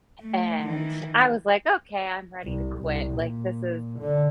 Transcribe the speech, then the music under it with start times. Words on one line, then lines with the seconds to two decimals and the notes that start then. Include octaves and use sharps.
And I was like, "Okay, I'm ready to quit. Like this is
0.20 A3
0.63 D#3 E3
2.44 C2
2.79 C2
3.13 A#2
3.99 D3